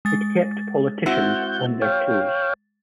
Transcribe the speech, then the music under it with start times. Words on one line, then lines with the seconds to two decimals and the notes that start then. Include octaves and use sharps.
It kept politicians on their toes.
0.05 G#3 A6
1.06 C4 E4 F#4 F#5 G6
1.82 C#5 F5 G5